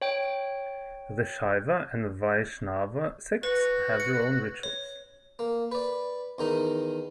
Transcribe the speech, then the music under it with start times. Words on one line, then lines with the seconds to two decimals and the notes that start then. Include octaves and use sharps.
The Shaiva and Vaishnava sects have their own rituals.
0.01 C#5 G5
3.43 F#4 B4
4.00 C#7
4.63 C#5
5.39 A#3
5.71 B4 D5
6.38 E2 D#3 D#4